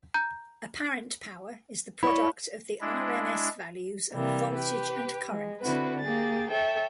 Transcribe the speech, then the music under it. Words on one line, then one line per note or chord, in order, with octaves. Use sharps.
Apparent power is the product of the rms values of voltage and current.
A#5 G6
E4 C#5 D5 B5 C#6
G#3 D4 E4
C3 E3 G3 A#3
G4 B4
G#3
D3 C4 E4 F#4 B4
A#3 G4 G#4 A6
A4 C#5 E5 G5